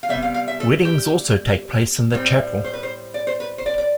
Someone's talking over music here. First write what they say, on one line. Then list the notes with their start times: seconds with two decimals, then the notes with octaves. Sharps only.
Weddings also take place in the chapel.
0.03 F5
0.09 C3 G3 B3 E5
0.22 F5
0.34 F5
0.48 E5
0.60 A4
0.85 G4
2.12 A2 G3 C4
2.64 C5
2.73 B4
2.83 C5
3.14 D5
3.27 C5
3.40 B4
3.58 C5
3.66 D5
3.78 D5